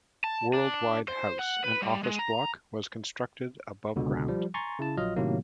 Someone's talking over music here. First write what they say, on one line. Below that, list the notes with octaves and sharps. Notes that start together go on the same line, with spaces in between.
World-Wide House, an office block, was constructed above ground.
A5
D4
C5
F#5
B4
G3
G#3
A#5
C#2 B2 D3
F3 G3
G#5 A#5 C6 C#6 A6
C#3 E4 A5
A#1 F#3 F4 D#5 F6
A2 C3 D#3 F#3 A#3